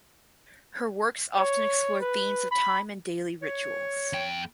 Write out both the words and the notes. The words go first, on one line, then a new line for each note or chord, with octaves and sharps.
Her works often explore themes of time and daily rituals.
C#5
B4
B5
C#5
F2 G5